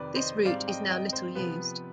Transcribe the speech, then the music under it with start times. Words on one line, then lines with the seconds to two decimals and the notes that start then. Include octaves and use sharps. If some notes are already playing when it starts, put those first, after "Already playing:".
This route is now little used.
Already playing: F2 C3 D#3 B4 D5
0.16 C5 D#5
0.45 G#2 G3 C4 D5 F5
0.68 D#5 G5
0.90 D#5 G5
1.13 C5
1.35 C3 F3 B3 B4